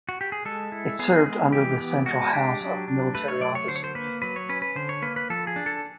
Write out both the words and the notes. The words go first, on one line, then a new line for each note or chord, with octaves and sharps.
It served under the Central House of Military Officers.
F#4
G4
G#4
G#3 A4
E4
B3 G#4
G#3
E3 G4
B3
G#3 F#4
D4 G4
F#3
D4
A3 B4
C#5
F#3 D5
C#5
D3 C5
C#5
C5
A#3 B4
F#3 B4
C#5
C#4 B4
B4
D3 C5
C#5
A#3 B4
B4
F3 A4
G#4
D4
A4